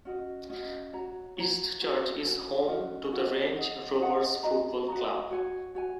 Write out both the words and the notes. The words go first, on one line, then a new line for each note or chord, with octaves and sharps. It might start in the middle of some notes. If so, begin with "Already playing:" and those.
Eastchurch is home to the Range Rovers Football Club.
C#4 F#4 D#5
C#4 F#4 D#5
F#4 C#5 A#5
F#4 C#5 A#5
C#4 F#4 C#5 G#5
C#4 F#4 C#5 G#5
C#4 F#4 D#5
C#4 F#4 D#5
G#4 D#5 F#5
G#4 D#5 F#5
F#4 D#5 A#5
F#4 D#5 A#5
F#4 C#5 G#5
F#4 C#5 G#5